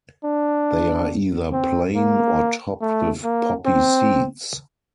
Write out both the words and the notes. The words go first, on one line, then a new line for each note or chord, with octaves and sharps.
They are either plain or topped with poppy seeds.
D4
C4
A#3
A3
A#3
C4